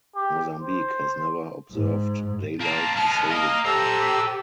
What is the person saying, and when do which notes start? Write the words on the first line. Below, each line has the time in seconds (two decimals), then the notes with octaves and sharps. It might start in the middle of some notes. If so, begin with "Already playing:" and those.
Mozambique has never observed daylight saving time.
0.16 G4
0.59 C5
1.73 G#2
2.61 A#3 C4 A5
2.96 G#3 B3 F6
3.30 A#3 A#4 D#5 F5
3.65 G4 A4 C5 A#5 E6